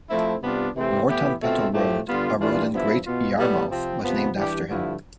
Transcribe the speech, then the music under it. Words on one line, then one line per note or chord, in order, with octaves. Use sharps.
Morton Peto Road, a road in Great Yarmouth, was named after him.
F3 A3 C4 E4
C3 G3 B3 D4 F4
C3 E3 A3 C4 G4
A2 E3 B3 E4 G4
B2 A3 C4 F4
A2 F3 A3 C4 G4
D3 G3 B3 F4
E3 G3 D4 F4
G2 F3 B3 E4
B2 B3 F4
A2 G3 B3
C3 F3 C4
C3 F3 B3
E3 G3 D4 G4
G2 D3 F3 A3 E4